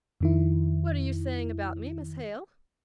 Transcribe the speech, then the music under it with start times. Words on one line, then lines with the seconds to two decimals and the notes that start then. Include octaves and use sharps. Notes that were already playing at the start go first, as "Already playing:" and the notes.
'What are you saying about me, Miss Hale?
0.20 F2 D#3 E4